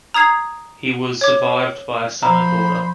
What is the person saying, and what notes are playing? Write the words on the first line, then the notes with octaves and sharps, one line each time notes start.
He was survived by a son and daughter.
A#5 D#6 G#6 C7
C#5 D6
F3 C5 A#5 B5